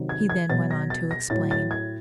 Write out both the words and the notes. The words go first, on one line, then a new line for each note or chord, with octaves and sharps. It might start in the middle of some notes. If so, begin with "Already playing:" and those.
He then went on to explain.
Already playing: C3 D#3 F#3
G#6
G#6
B2 F#3 A6
A#6
A6
A#6
A2 F#3 A6
A6
G#6